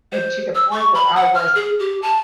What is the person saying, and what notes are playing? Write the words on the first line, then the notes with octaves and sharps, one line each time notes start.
and to the point where I was
C5
E6
C#6
B5
F#5
F6
G#4
G4
A5